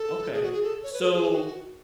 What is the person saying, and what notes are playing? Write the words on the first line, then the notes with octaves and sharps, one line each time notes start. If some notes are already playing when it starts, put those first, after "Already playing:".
Okay, so
Already playing: A4
G#4
F#4
G#4
A4
C#5
B4
A4
G#4
F#4